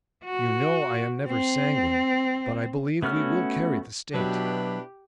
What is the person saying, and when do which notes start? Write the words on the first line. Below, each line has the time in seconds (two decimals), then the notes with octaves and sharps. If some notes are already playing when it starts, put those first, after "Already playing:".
You know I am never sanguine; but I believe we will carry the State.
0.24 F#4
1.27 C4
3.02 A3 B3 C#4 F#4 F6
4.14 B2 F#3 D4 E4 G4 B4